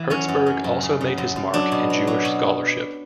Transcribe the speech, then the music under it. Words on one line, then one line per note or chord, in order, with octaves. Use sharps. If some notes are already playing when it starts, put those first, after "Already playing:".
Hertzberg also made his mark in Jewish scholarship.
Already playing: E3
F#3 C#4
F#2
F#3
F#2
C#3
C#3
F#2
F#2
F#3 D4
B2
F#3
F#3
B2